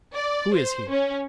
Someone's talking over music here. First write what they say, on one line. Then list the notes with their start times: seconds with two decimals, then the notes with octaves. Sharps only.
Who is he?'
0.14 D5
0.55 C5
0.89 C#4